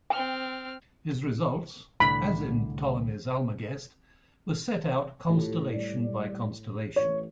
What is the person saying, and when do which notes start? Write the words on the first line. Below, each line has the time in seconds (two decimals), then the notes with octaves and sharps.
His results, as in Ptolemy's "Almagest", were set out constellation by constellation.
0.10 C4 G5 F6
2.00 C2 A2 D3 B5
5.30 A2 F4 G4 A4
5.74 G3 D5
6.96 A1 C#5